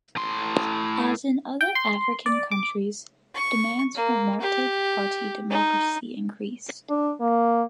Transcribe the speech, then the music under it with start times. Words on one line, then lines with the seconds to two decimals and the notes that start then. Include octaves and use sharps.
As in other African countries, demands for multi-party democracy increased.
0.16 A2 C6
1.61 G5
1.75 C6
2.26 D5
2.51 D6
3.35 C#6
3.95 A#3
4.41 G4
5.50 D#4
6.90 D4
7.20 A#3